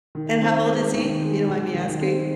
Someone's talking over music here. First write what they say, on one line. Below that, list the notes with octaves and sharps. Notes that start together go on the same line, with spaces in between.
And how old is he? If you don't mind me asking?
D#3
C4
G#3
D#3
G#3
D#3
D#3
C4